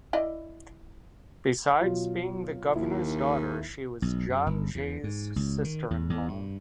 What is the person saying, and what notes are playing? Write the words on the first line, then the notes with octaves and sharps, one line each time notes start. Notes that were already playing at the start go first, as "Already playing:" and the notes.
Besides being the governor's daughter, she was John Jay's sister-in-law.
E4 D5 D#5
B2 F#3 F4
D#2 E4
B1
F#2
G1
E2
G#2
C#2
D#3
E2
E2
G2